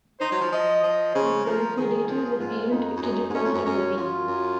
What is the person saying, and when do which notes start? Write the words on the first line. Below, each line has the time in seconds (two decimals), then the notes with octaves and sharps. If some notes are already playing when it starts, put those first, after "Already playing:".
The liquidators appealed to the Court of Appeal.
0.20 D#4 C5
0.31 F#3
0.41 F3
0.52 F3 D#5
0.84 F3
1.14 C#3 C5
1.45 F3 A#4
1.77 D#3 G#4
2.08 F3
2.39 G#2 F4
2.71 F2 D#4
2.96 F2
3.02 F#2
3.30 G#2
3.34 F#2 C#4
3.45 F2
3.54 F#2
3.65 F#2 C#4
3.97 F#2 F4
4.27 F#2